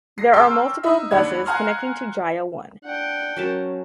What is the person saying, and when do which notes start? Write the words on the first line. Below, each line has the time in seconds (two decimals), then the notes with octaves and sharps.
There are multiple buses connecting to Jaya One.
0.18 A#6 C7
0.34 G5 A5 C6 C#6 E6 F6
0.83 D#4 D#5 E5
1.11 D#2 D4 F#5 B5 G#6
1.46 F5 F#5 G#5 A#5 C6 F6
2.84 D4 F#5 G5
3.37 F#3 C#4 A#4 A5